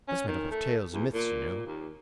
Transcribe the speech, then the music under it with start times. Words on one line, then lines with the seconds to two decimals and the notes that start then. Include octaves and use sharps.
That's made up of tales, and myths, you know.
0.08 C#4
0.28 D#3
0.51 A3
0.92 E2
1.13 A#2
1.66 D#2